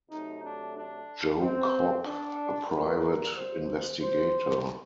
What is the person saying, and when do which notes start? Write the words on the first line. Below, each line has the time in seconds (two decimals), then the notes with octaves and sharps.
Joe Copp, a private investigator.
0.10 C3 F#3 A3 D#4
0.43 D4
0.75 D4
1.40 C4
2.05 D4
2.70 A#2 G3 A#3 A#4
3.35 C5
4.00 C5